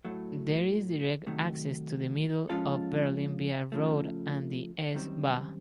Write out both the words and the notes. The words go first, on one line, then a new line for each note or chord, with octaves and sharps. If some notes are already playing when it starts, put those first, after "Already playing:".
There is direct access to the middle of Berlin via road and S-Bahn.
A2 F#3 A3
C3 D#3 F#3 A3
F3 G#3 C#4 F4 A4
C#3 F3 A3
F#2 D#3 G3 C4